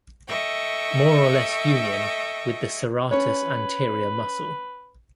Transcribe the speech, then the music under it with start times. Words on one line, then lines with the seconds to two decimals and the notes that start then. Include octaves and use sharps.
More or less union with the serratus anterior muscle.
0.27 A4 D#5 E5 G5 C#6
3.11 C#4 B4 C#5